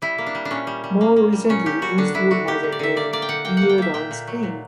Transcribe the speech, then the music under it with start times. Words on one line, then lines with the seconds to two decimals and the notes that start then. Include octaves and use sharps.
More recently, Eastwood has again appeared onscreen.
0.02 G3 E4
0.18 A#3
0.27 D4
0.35 G3
0.45 D4
0.51 A#2 C#4
0.67 G3
0.84 G3
1.01 A#3
1.16 A#3
1.33 G3
1.49 A#2 C#4
1.66 A#2 G4
1.82 G3 F#4
1.98 D3 D4
2.14 D3 E4
2.31 D3 F#4
2.47 A#3 G4
2.63 D3
2.72 D5
2.79 D3 E5
2.96 A#3 D5
3.13 A#3 D5
3.22 G5
3.29 D3 F#5
3.45 A#3 G5
3.57 A#3 F#5
3.69 G5
3.78 A#3 E5
3.94 A#2 G5
4.11 A#2
4.28 F#3
4.43 A#2